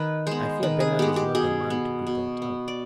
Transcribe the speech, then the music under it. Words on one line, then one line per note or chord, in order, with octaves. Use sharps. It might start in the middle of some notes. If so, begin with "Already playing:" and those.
"I fear Bernard is not the man to be bought out."
Already playing: D#3 B4
G#3 B3 C5
D#3 B4
G#4
G#3 B3 G4
G4
B2 G#4
B3
B2
B3
D5